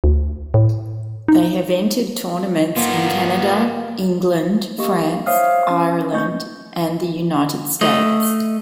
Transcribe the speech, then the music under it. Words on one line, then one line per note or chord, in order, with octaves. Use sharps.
They have entered tournaments in Canada, England, France, Ireland and the United States.
D2
A2
D#4
A#3 B3 F4
A#3 G4 D#5 C#6
C5 C#5 E5 F5 D#6 F6
C#4
A3 D#5 C#6 G6
A3 D#5